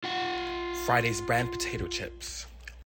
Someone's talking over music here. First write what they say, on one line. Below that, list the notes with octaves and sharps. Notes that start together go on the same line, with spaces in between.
Friday's brand potato chips.
F4 F#5